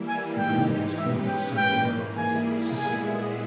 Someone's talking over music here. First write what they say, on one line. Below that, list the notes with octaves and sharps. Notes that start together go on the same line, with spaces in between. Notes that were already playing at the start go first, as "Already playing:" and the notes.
Rugolo was born in San Piero Patti, Sicily.
Already playing: E3 G3 A#3 E4
G#5
G#2 E3 G#3 D#4 G4 G5
G#3 C#4 G4 B4 E5
G5
G#2 E3 A#3 G5
G3 A#3 E4 G#4 G#5
A#2 G#3 B3 E4 G#4 G#5